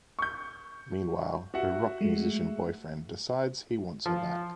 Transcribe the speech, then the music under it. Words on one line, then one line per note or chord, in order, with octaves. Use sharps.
Meanwhile, her rock musician boyfriend decides he wants her back.
C#6 G6
F#4 E5 F#5
G#3 A3
F3